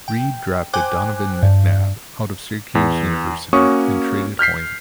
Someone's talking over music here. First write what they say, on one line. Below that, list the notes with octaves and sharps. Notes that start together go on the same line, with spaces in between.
Reid drafted Donovan McNabb out of Syracuse University, and traded Hoying.
G5
C5 G5 G#5 D6 F#6
G2
E2
A#3 C#4 F#4 C#5 C#6 D#6
F6 G6 B6 C7